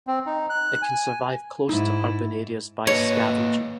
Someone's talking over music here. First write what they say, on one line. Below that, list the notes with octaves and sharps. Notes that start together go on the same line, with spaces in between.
It can survive close to urban areas by scavenging.
C4
D#4
F#6
G#5
G#2 D#4 E4
A#3 B4 C#5 D#5